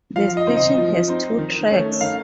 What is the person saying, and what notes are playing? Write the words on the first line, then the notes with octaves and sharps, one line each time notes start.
The station has two tracks.
F3 F5
D#5
C4 D#4
D#5
F3
C4 D#4
D#3
A3 C#4
D#3 F5